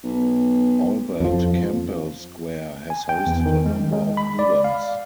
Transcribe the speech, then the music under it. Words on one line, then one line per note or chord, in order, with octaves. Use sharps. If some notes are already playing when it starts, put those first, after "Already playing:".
Albert Campbell Square has hosted a number of events.
B1
F2 F3
G#5
G5
E2
D#3
G#3
G#3
B5
D5
F5